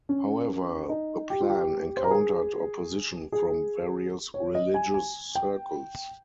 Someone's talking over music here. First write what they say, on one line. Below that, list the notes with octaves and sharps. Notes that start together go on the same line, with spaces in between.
However, the plan encountered opposition from various religious circles.
C#4
D#4
G4
F4
G4
C5
A#4
G#4
G#4
C#5
D#5
G#5
G#5
G5